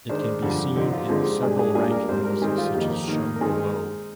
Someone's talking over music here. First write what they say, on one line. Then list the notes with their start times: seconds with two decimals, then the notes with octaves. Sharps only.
It can be seen in the several rankings such as shown below.
0.09 D#3 G#3 D4 C5
0.42 F2 D3 G3
0.76 D3 F3 C4 D#4 G4
0.93 F4
1.09 D3 F3 G#3 C4 D#4 F4
1.25 G4
1.42 G#2 G3 D4 G#4
1.59 G#4
1.75 A#2 G3 D4 G#4
1.91 A#4
2.08 G#2 G3 C4 C5
2.25 A#4
2.42 D#3 G3 C4 D#4 G#4
2.58 F4
2.74 F2 D#3 A#3 D#4 G4
3.08 D#3 A#3 D#4
3.36 A#4
3.41 D#3 G#3 C4 G#4